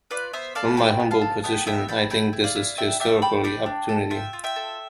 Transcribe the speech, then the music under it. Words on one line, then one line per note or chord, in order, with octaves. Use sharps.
From my humble position, I think this is a historical opportunity.
F4 B4 D5
B3 C5 E5
A4 D5 F5
F4 G5 B5
B3
F5 A5
A4
B3 E5 G5
B3 E5 G5
A4 G5 B5
E4 G5 B5
E4
D5 F5
E4
D4 E5 G5
D4 E5 G5
A4 G5 B5
D4 G5 B5
D4
A4
F4 E5 G5
F4
E5 G5
A4